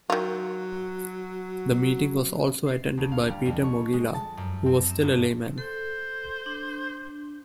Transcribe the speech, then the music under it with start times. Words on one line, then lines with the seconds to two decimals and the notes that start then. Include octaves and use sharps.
The meeting was also attended by Peter Mogila, who was still a layman.
0.10 D#3 F#3 F4
2.66 C7
2.97 D2
3.12 F5
3.30 G3
3.46 F2
3.64 C#6
3.93 G#3
4.14 A5
4.37 F#2
4.66 C4
4.90 E7
5.03 G1
5.58 A4 C5
6.46 D4